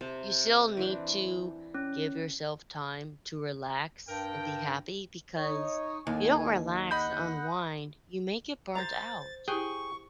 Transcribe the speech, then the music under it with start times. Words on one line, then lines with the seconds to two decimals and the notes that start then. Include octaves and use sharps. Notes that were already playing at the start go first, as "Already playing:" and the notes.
you still need to give yourself time to relax and be happy, because you don't relax and unwind, you may get burnt out.
0.01 C3 C5 A5
0.77 E3 C4 D4
1.74 C#4
4.08 G2 A#4 G5
5.37 D#4 C#5
6.07 D#2 A2 G#5
6.91 D#5 F#5 B5 G6
8.75 C5 A#5 A6
9.48 E4 G4 G#4 G5 C#6